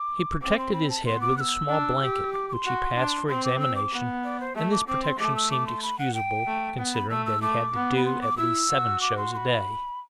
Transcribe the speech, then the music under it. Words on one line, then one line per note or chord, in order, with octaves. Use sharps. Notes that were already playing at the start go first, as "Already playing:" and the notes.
He protected his head with a small blanket, which he passed for examination, and this protection seemed excusable, considering that he had to do at least seven shows a day.
Already playing: D6
C4 D6
C6
B5
A5
B3 C6
D6
F#6
E6
D4
G4
D6
D6
C6
F#4
D4
C4 C6
D6
E6
D6
B3
D5
C5
A3 E5
D6
C4 D6
C6
A3 D6
E6
D6
C6
B5
F#5
G5
A3
B3
B5
A3 E6
E6
A3 D6
B3
B5
C6
D6
E4 E6
F#4
D6
C6
C6
B5